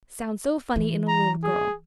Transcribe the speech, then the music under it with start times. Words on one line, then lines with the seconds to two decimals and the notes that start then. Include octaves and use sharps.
It sounds so funny in a little girl.
0.76 E3
1.08 A#5
1.43 G#4